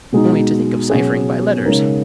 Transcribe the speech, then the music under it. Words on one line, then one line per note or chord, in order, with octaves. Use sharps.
Only to think of cyphering by letters!
B2 G#3 D#4
B2 F#3 C#4 G#4
C#3 G#3 D#4 A#4